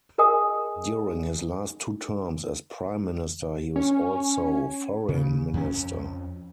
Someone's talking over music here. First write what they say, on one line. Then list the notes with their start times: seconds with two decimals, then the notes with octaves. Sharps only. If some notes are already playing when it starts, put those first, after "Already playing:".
During his last two terms as prime minister, he was also foreign minister.
0.18 G#4 A#4 D#5 G#5 D#6
3.76 C#4
5.09 C#3
5.54 F2 C#4